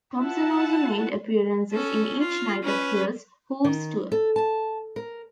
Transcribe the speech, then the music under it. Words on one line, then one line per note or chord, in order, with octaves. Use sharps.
Thompson also made appearances in each night of Hill's "Hooves" tour.
E4 F4 F#5 A5
C#4 A4
F4
C#4 B4
D#3
A4
A5
A#4